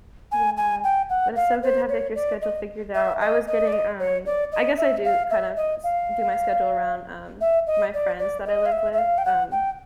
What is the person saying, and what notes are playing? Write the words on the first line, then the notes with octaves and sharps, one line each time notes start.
Yeah. But it's so good to have, like, your schedule figured out. I was getting, um, I guess I do kind of s do my schedule around, um, my friends that I live with, um,
G#5
G#5
G5
F#5
F5
C5
C#5
D5
D#5
E5
D#5
D#5
D5
D#5
C#5
D5
D#5
E5
F5
E5
D#5
F5
E5
D#5
D5
D5
D#5
F5
E5
E5
F5
G5
F#5
G5